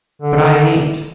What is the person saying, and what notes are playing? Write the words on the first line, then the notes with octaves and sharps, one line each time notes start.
"But I ain't."
D3